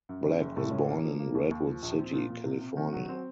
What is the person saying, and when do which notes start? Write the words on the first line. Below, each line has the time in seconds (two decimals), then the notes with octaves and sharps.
Black was born in Redwood City, California.
0.09 F#2
0.25 F#1
0.41 F#1
0.57 A2
0.71 C#4
0.87 A#3
1.04 F3
1.19 A#3
1.35 D#2
1.51 D#2
1.66 F3
1.82 A#1
1.99 C4
2.13 A#2
2.30 A#2
2.46 C3
2.61 C3
2.77 D#3
2.93 F#3
3.09 C4